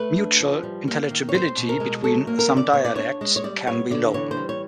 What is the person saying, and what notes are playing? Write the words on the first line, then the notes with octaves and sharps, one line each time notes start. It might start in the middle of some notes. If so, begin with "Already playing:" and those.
Mutual intelligibility between some dialects can be low.
Already playing: A3 B4
D4
F3
G3
A#3
D#3
C#5
C4 C5
B2
A#4
G#3
F#3 A4
A#3
A#4
C#3
D5
B3 C#5
D5
D4 C#5
G#3
C#5
G3 D5
B3 C#5
D3 D5
E3 C#5
C5
G3
C#5